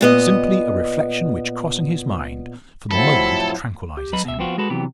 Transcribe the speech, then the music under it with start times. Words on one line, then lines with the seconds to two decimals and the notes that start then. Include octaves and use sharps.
Simply a reflection which crossing his mind, for the moment tranquillises him.
0.01 A#2 B3 D#5
2.91 F2 A2 F3 F#3 C4 E4 A4 B5
3.97 G4
4.13 F#3 B4 D#5 B5
4.25 B2 E5
4.39 F2 B3 C4 F4 F#4
4.58 G#3 F#4 A4 B4
4.70 C3 E3 F#3 B3 G4